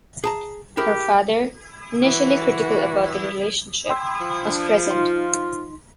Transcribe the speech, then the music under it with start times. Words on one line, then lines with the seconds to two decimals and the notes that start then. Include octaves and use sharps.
Her father, initially critical about their relationship, was present.
0.24 G#4 A5 A#5
0.77 E4 G4 G#4 A#4
2.01 E3 F#4
3.90 G5 C6 E6
4.20 F3
4.42 D4
4.87 D#4 F4 C6